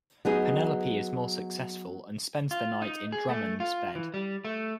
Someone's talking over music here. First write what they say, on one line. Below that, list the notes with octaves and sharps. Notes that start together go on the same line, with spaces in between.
Penelope is more successful and spends the night in Drummond's bed.
F#3 B3 D#4 G#4
F4
D#4
G#4
A3
F4
E3
G3
A3